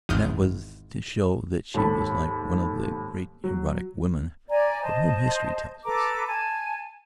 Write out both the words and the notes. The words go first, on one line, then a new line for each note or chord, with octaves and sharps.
That was to show that she was like one of the great erotic women of whom history tells us.
G#1 E2 D#6 F6 G6
D#2 G#2 A4 A5 B5
F#3
D5 G#5 A#5
C5 D#5 A5
A4 B4 A#5 D6
G#5 A5